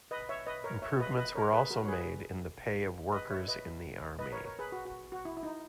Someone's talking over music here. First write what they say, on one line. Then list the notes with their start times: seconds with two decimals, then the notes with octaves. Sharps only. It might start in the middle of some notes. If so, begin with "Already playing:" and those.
Improvements were also made in the pay of workers in the Army.
0.11 B4 D#5
0.29 C#5 E5
0.47 B4 D#5
0.64 A#4 C#5
0.82 C#5 E5
1.00 B4 D#5
1.17 B4 D#5
1.35 A#4 C#5
1.53 G#4 B4
1.70 F#4 A#4
1.85 C#5
1.88 G#4 B4
3.12 B4 D#5
3.30 C#5 E5
3.48 B4 D#5
4.19 B4 D#5
4.32 A#4 C#5
4.45 A#4 C#5
4.59 G#4 B4
4.72 F#4
4.85 F#4
5.12 F#4
5.25 E4
5.37 E4
5.43 D#4